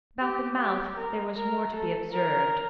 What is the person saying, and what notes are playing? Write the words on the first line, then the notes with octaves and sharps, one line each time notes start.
About the mouth there was more to be observed.
G4
G4
A#4
A#4
A4
A#4